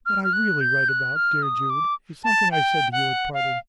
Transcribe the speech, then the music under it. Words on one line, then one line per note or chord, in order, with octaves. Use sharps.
What I really write about, dear Jude, is something I said to you at parting.
F6
F6
F#6
G6
F#6
F6
D#6
D6
A5
G5
F#5
F5